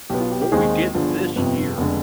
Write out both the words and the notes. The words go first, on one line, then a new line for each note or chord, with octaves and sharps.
what we did this year
B1 B2 B3 G4
F4
G4
G4
D#2 D#3 G#3 C4 D#4 G#4
G1 G2 D3 F3
G1 F2 C3 B3 B4
F1 D3 G#3